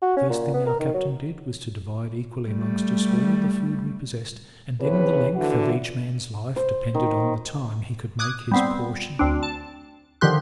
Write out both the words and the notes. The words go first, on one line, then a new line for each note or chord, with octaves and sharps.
The first thing our captain did was to divide equally amongst us all the food we possessed, and then the length of each man's life depended on the time he could make his portion last.
F#4
C#4
A#2
B3
A#4
D#3
F#3
G3 A3
E2 C3 B4 C#5
D2 D3 E3 F#4
C5
D#3
D6 D#6 F#6 G#6
G3 B3 C4
D2 C4 D4
A5
D3 D#3 F3 G4 C6 F#6